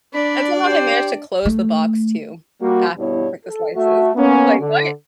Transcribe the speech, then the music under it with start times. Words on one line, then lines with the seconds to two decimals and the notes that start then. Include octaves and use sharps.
and somehow they managed to close the box too after they took the slices, like, "What?"
0.14 D4 D5 B5
0.65 G4 C5
1.45 A3
2.60 G3 A#3 F#4
2.97 G2 B2 G3 B3 E4 C#5
3.46 A4
3.75 A3 F#4 E5
4.15 A#3 B3 C#4
4.59 D3